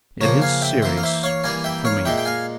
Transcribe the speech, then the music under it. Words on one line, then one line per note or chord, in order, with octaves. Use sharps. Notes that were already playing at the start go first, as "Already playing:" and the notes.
"It is serious--for me."
C#3 F3 A#3 A#4 C#5
F5 G#5
E5 G5
E3 A#3 C5 E5
F5
C5 E5
C#5 F5
E3 G3 A#3 F5 G#5
E5 G5
C#5 F5
A#2 G#3 E5 G5
G5
F5 G#5